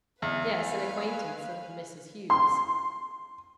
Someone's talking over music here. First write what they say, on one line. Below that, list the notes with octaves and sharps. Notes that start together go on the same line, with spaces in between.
"Yes, an acquaintance of Mrs. Hughes."
E2 B4 F5 G#5
C6